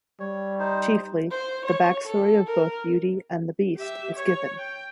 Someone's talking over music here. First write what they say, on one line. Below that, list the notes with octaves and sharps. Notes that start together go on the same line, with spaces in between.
Chiefly, the backstory of both Beauty and the Beast is given.
G3 C#5
D#4 C5
C5
C#5
A4
A#4
G4 E5
C#5
G5